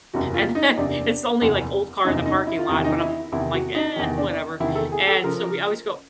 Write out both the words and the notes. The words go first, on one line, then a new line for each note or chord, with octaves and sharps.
And then it's the only like old car in the parking lot, but I'm like, "Eh, whatever." And so, we always go
F#1 E2 C3 F#4
F4
D#4
F#1 E2 C3 D4
F#1 E2 C3
F#1 E2 C3 D#4
D#4
E4
F4
E2 C3 D#3 E4
D#4
E4
E2 C3 D#3 E4
F#4
D#4
E2 C3 D#3
D4
E2 C3 D#3 E4
A4
G#4
A4
C#3 F3 A#4